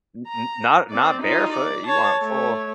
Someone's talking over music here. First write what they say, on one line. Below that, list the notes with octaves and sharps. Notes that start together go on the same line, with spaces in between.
N n not not barefoot, you want full
A#5
C4 D5
D#4 F4
D5
C#5 A5
A3 C#5